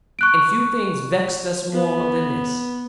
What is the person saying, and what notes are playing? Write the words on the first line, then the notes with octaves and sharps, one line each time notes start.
And few things vexed us more than this.
C#6 F#6 D7
B3